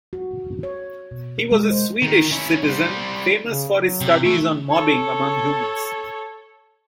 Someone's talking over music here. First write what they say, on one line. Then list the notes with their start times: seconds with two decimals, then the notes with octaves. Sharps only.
He was a Swedish citizen, famous for his studies on mobbing among humans.
0.13 F#4
0.63 C#5
1.11 B2
1.38 A#4
1.52 G#3
1.71 C5
2.02 D#3
2.32 C#4 E4
2.64 G3 C5
3.49 C#3
3.76 F#3
4.01 C3
4.25 E3 A3 E5
4.70 A4 C#5